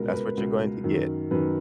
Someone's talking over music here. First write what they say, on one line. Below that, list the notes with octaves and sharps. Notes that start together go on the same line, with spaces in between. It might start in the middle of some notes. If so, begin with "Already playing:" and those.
That's what you're going to get.
Already playing: C#2 B2 A#4
B4
A#4
C#2 B2
F#2 D#3
F#2 D#3 B4